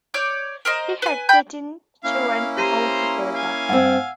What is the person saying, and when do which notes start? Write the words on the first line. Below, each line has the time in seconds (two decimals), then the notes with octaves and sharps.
He had thirteen children altogether.
0.14 C#5 D5 G6
0.65 A#4 C5 D#5
1.02 B4 G#5
1.29 G5 B5 G6
2.04 A#3 C#4 E4 F5
2.57 G4 C5 A#5 C6 A#6 D#7
3.35 F5 G#5
3.69 G2 C4 F#5 E6